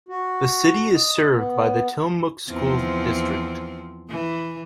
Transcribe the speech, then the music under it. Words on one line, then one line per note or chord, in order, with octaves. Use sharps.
The city is served by the Tillamook School District.
F#4
D#5
B3
E2 F3 C4
E3